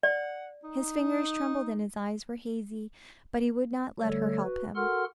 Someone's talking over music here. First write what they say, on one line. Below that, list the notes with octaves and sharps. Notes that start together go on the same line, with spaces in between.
His fingers trembled and his eyes were hazy, but he would not let her help him.
D5 F#5
D#4
D3 G3 A3 A4 C#5
F#4 B4
F#4 A4 A#4 F#5 C6 F6